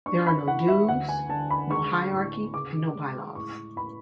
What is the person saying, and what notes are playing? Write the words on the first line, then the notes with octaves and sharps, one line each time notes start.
There are no dues, no hierarchy and no bylaws.
D4 C#6
B5
E3 F#5
E5
D2 F#5
G#5
D3 A5
B5
G#3 C#6
A2
C#3 D6
G#3
A2 C#6
A2 B5